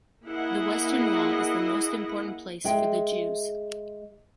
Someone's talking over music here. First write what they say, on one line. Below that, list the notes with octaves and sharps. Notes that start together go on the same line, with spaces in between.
The Western Wall is the most important place for the Jews.
A#3 E4 G#4 D#5 F#5
G#3 G#4 E5 G5